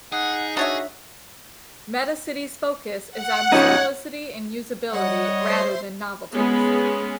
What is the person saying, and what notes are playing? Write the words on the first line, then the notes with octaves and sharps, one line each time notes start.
Metacity's focus is on simplicity and usability rather than novelties.
D#4 G#4 F#5
D4 F#4 G#4 C#5 E5
F#5
C#3 F3 D#4 C#5
G3 C#5 D#5 F#5
C5 E5 C6
G#3 B3 C#4 G#4